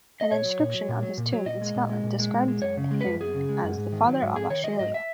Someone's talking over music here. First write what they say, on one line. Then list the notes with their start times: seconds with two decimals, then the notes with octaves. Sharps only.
An inscription on his tomb in Scotland describes him as "The Father of Australia".
0.21 D#5
0.31 A#2 C#5
0.45 F#3
0.59 A#2
0.74 F#3
0.89 A#2
1.03 F#3
1.18 A#2
1.33 F#3
1.46 A#2 D#5
1.61 G#3
1.75 A#2
1.90 G#3
2.04 A#2
2.19 G#3
2.33 A#2
2.48 G#3
2.62 F#2 C#5
2.77 C#3
2.91 G#3
3.01 F#2 B4
3.21 F#2 G#4
3.34 C#3
3.49 G#3
3.64 F#2
3.78 G#2
3.92 D#3
4.06 F#3
4.22 G#2
4.36 G#2 G#4
4.50 D#3 C#5
4.64 F#3 D#5
4.79 G#2 D#5
4.94 E5